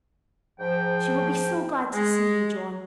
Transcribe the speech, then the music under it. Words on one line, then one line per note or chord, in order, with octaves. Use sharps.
She will be so glad to see you, John!
G#2 F3 G5
G#3